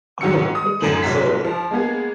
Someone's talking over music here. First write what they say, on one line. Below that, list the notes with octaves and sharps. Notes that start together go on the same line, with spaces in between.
oh, okay, so it
G#2 D#3 F#3 F#4 E6 C#7
D#6
F#2 A2 F#7
F1 G#2 F#3 B6
F3
G#3 A#3 B3 G#4